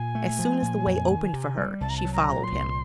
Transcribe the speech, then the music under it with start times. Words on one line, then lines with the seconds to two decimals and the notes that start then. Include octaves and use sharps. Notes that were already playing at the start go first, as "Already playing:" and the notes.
As soon as the way opened for her, she followed him.
Already playing: A#2 G#5
0.15 A3
0.39 F3
0.62 A#2
0.86 F2
1.09 D#3
1.33 C3
1.57 G3
1.81 C2 A5
1.90 A#5
1.97 A5
2.05 F#3
2.13 A#5
2.28 A#2
2.43 C6
2.52 C2